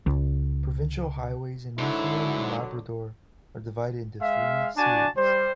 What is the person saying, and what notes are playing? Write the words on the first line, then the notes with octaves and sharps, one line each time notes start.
Provincial highways in Newfoundland and Labrador are divided into three series.
C#2
G#2 D3 F#3 E4
G#3 E5 F5
D4 F#4 D5 G#5 A5
G3 C5